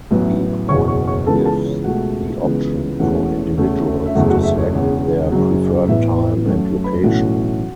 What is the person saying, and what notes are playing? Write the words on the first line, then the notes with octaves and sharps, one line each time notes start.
The appointment gives the option for individuals to select their preferred time and location.
A1 A2 F#3 B3
F#1 E2 B2 C#5 C#6
C#5 C#6
C#5 C#6
C#2 C#3 E3 B3 A4 A5
A4 A5
C#5
C#2 B2 A3 F#4 F#5
C#2 C#3 E3 B3
E1 E2 E3 A3 C#4 F#4 F#5
E2 C#3 A3 C#4
E5
F#1 E2 C#3 F#3 A3 F#4 F#5
F#4 F#5
E5
C#5
E1 E2 C#3 C#5
F#1 F#2 F#3
A1 A2 E3 B3 E5
E5
F#2 F#3 A3 C#4 F#4 F#5
B4 B5
B1 A2 E3 A3 C#4 F#4 F#5